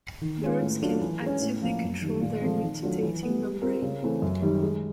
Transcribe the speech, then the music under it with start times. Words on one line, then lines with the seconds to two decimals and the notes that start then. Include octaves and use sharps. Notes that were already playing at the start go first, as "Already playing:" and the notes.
Birds can actively control their nictitating membrane.
0.21 D#3
0.41 G#3 C#4 F4
0.61 A2
0.82 F#3 A3 D4 F4
1.01 E3
1.21 G#3
1.26 C#4
1.41 A2
1.62 F3 A#3
1.82 F#2
2.02 D#3 G3
2.21 A#2
2.42 F3 A3 C4
2.61 D#3
2.83 F#3 A3 D4 F4
3.02 E3
3.23 G3 B3
3.42 G3
3.62 C4 F4 A#4
3.82 C#3
4.02 E3 A3 C4
4.22 F#2
4.42 D#3 G3
4.63 G#3